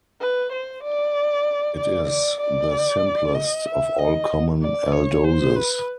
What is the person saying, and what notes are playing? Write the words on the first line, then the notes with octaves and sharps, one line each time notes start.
It is the simplest of all common aldoses.
B4
C5
D5
D5
D5
D5
D#5
E5
D#5
D5
C#5
C5
B4